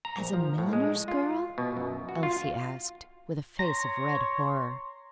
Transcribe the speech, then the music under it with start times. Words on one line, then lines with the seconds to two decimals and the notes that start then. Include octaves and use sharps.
'As a milliner's girl?' Elsie asked, with a face of red horror.
0.05 A#5
0.18 A#1
0.33 F3
0.58 A2
0.73 G#3
1.08 F4
1.58 B2
1.77 F#2
2.09 F#4
2.23 F4
3.59 C#5 A#5 C6